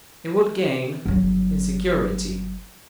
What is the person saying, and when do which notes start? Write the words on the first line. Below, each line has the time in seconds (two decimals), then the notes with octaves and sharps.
"It would gain in security."
1.06 G1 F#3